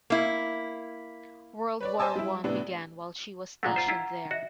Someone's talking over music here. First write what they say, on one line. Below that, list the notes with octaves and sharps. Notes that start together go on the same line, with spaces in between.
World War One began while she was stationed there.
A#3 E4
B4 C#5 D5
C5 D#5 G#5 A5 E6
G3 E4
A2 C3 B3 D4
A#2 G#3 A3 F#5 A#5
F4 C5
E4 F4
F#4 D#5 E5